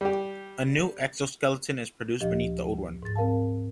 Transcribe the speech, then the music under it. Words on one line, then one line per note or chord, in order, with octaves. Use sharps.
A new exoskeleton is produced beneath the old one.
G3 G4
D2 A#2 F3 G4 D#5
G#2 A6
C4 A#4 F5 A5